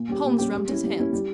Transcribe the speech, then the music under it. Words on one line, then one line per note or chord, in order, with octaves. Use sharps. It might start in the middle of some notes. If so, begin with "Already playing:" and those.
Holmes rubbed his hands.
Already playing: A#2
G3 C#4 G4
A#2
G3 C#4 G4
G3
C#4 E4
G3
C#4 E4
G3